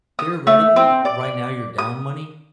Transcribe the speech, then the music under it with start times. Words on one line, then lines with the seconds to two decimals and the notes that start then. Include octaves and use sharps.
Theoretically, right now you're down money,
0.19 D#6
0.47 A3
0.76 C4
1.05 D5
1.78 D#6